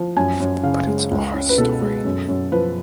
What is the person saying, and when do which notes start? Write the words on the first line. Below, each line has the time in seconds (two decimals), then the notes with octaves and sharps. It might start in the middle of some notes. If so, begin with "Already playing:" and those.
But it’s our story.
Already playing: F3
0.17 F#2 G#5
0.40 F#2
0.63 C#3 F5
0.87 G#3
1.11 C#2
1.34 C#4
1.49 B4
1.58 B2 A4
1.81 G#3
2.05 F#2
2.28 F#2
2.52 F3 B4